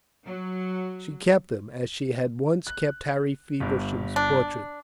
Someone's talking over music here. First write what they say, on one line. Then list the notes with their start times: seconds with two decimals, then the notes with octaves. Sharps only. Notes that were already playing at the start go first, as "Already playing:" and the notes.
She kept them, as she had once kept Harry Feversham's portrait.
0.25 F#3
2.67 F#6
3.60 G1 G2
4.16 D4